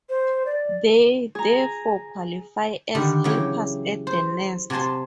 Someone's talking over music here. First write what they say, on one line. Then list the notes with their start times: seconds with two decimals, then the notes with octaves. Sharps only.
They therefore qualify as helpers at the nest.
0.10 C5
0.46 D5
1.35 G#4 A#5
2.95 D3 D#3 G3
3.24 C#3 E3 F#3 G4
4.07 C5
4.70 C3 F#4 G#5 A5 C6